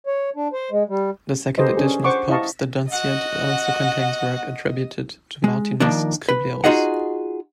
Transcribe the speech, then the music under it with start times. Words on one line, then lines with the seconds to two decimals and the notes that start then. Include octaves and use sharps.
The second edition of Pope's "The Dunciad" also contains work attributed to Martinus Scriblerus.
0.07 C#5
0.36 D4
0.53 C5
0.71 G#3
0.89 G3
1.58 G4 A4 B4 C5 D#5
1.77 C#4 D4 G#4
2.04 C5 F#5 C#6 D6
2.29 E4 D#5 F5 A5 C#6
2.92 F#4 D#5 F#5
5.44 G#3
5.80 D#3 F3 A#3 D4
6.29 B4
6.64 D#4 F4 F#4 G#4 D#5 F#5